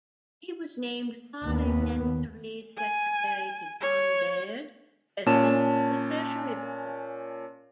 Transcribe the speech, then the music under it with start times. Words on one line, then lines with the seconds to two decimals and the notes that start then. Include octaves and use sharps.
He was named Parliamentary secretary to John Baird, President of the Treasury Board.
1.43 D#2 B3
2.77 G#5
3.81 C#5
5.26 A#2 C#4 A5 E7